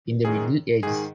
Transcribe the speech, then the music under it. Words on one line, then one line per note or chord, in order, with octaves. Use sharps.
In the Middle Ages.
F#2 D#3 G#4
G#2 D#3 G#4